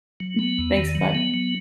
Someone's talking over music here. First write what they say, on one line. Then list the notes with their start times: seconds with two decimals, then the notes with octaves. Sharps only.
Mm, thanks, bud.
0.20 F#3
0.39 B3
0.58 E2
0.77 D#3
0.95 F#3
1.15 B3
1.34 F#3